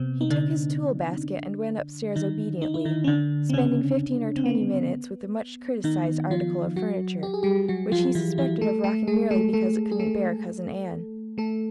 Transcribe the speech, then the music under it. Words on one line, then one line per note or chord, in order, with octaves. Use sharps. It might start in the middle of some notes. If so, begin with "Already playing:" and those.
He took his tool basket and went upstairs obediently, spending fifteen or twenty minutes with the much-criticised article of furniture, which he suspected of rocking merely because it couldn't bear Cousin Ann.
Already playing: C3 B3 C4
D#4
D3 D4
D#3 D#4
D#4
E4
D#3 D#4
C#4
D3 D4
C4
C#3 C#4
C4
B3
D#3 D#4
F3 F4
F#3 F#4
G4
G#4
G3 G4
F#3 F#4
F3 F4
E3 E4
E3 E4
A3 A4
A3 A4
G#3 G#4
A3 A4
A3 A4
G#4
A3 A4
A3 A4